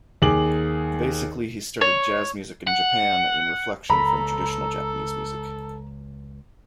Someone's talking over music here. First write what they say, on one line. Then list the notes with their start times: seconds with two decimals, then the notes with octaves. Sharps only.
Basically, he started jazz music in Japan in reflection from traditional Japanese music.
0.22 D#2 G#4 D6 F#7
1.81 C#5
2.67 F#5
3.90 C#2 A4 A#5 B5